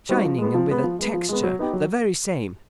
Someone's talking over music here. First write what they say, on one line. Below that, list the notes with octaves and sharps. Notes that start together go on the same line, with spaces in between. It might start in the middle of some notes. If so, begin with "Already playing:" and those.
Shining and with a texture--the very same.
G3 C4 D#4 F#4
F3
G#3 B3
F3
G#3 B3
F3
G#3 B3
F3
G#3 B3
F#3
B3 D#4 G4
F#3